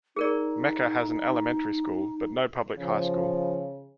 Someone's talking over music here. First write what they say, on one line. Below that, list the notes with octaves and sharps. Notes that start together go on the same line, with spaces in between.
Mecca has an elementary school, but no public high school.
D#4 G#4 A#4 D5
C#3 F3